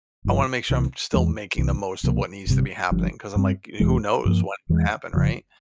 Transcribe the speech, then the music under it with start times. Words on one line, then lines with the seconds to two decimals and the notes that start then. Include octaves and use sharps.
I wanna make sure I'm still making the most of what needs to be happening, 'cause I'm like, eh, who knows what will happen, right?
0.25 G1 G2 F3
0.70 C2 C3 E3
1.14 E2 E3 G#3
1.58 C2 C3 E3
2.03 C#2 C3 F3 A#3
2.47 G1 F2 C3 G3
2.91 G1 G2 F3
3.36 G2 G3 C4
3.80 E1 E2 E3 G#3
4.25 G2 F3 A#3
4.69 E2 E3 G#3
5.13 F1 F2 C#3 F3